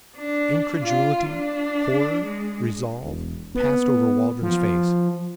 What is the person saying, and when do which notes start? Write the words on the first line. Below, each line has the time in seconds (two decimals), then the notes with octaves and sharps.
Incredulity, horror, resolve, passed over Waldron's face.
0.17 D4
0.82 F4
1.31 D4
2.25 G#3
3.02 E1
3.55 B3
4.42 F3